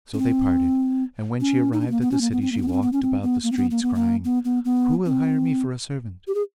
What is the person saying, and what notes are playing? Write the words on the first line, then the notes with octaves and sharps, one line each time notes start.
So they parted, and when she arrived at the city she walked about the streets crying, 'Who will hire me for a servant?
C#4
C4
C#4
D#4
D4
B3
A#3
B3
C#4
A#3
B3
C4
A#3
C4
B3
C#4
C4
B3
C#4
C4
B3
A#3
C4
B3
A#3
B3
A#3
B3
B3
B3
C4
G4
G#4